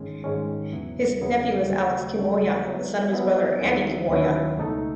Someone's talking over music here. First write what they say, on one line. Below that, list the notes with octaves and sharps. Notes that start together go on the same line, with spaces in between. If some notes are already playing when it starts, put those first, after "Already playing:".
His nephew is Alex Kiwomya, the son of his brother Andy Kiwomya.
Already playing: G#2 D#3 G#3 C#4
G#2 D#3 G#3 C#4
E2 C#3 F#3 B3 E4
E2 C#3 F#3 B3 E4
D#2 C#3 F#3 A3
D#2 C#3 F#3 A3
F#3 B3 E4
F#3 B3 E4
D#2 D#3 F#3 C#4 E4
D#2 D#3 F#3 C#4 E4
C#2 B2 A3 D#4 A4